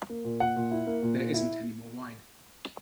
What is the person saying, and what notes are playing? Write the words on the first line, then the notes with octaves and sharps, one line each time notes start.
There isn't any more wine.
A#3
A#2
A#2 F#5
A#2
E4
A#3
A#2
A#2
E4